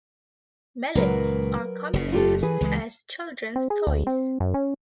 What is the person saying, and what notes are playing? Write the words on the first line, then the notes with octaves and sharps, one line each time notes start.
Mallets are commonly used as children's toys.
C#2 A#2 F#3 A#4 B4
F#1 C#3
F4 G4 A4
E3 G#4 B4
C#2 E3 G#3
C4
G#4
D2
C4
F#2
C#4